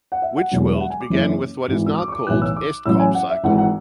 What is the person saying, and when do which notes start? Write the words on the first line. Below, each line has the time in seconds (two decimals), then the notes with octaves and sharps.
Witch World begins with what is now called the Estcarp cycle.
0.12 F#5
0.22 E5
0.37 F#5
0.51 E1 E2 B2 F#3
0.74 E5
0.80 F#5
0.90 G#5
1.00 D6
1.10 F#1 F#2 E3
1.68 G#1 G#2 E3
1.86 E6
1.98 D6
2.08 C#6
2.12 D6
2.27 B1 A2 E3 F#6
2.42 E6
2.56 D6
2.85 A1 A2 F#3 E6
3.00 G#5
3.15 F#5
3.30 E5
3.44 G#1 G#2 E3 F#5
3.58 F#5